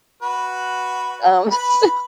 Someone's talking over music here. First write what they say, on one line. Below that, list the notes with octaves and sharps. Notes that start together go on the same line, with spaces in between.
um, so
F#4 B4
B4 B5